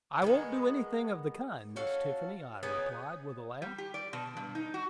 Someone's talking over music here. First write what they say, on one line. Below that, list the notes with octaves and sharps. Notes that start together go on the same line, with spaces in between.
"I won't do anything of the kind, Miss Tiffany," I replied, with a laugh.
D#3 G#3 B3
C#4 F#4 A4 F5
B3 C#4 D#4 G#4
G3
G4
D5
B2
G2
D#4
F#4